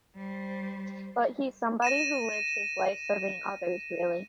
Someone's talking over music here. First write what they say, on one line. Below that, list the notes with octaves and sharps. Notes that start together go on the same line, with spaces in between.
But he's somebody who lived his life serving others, really.
G3 C5
A#6 D#7 E7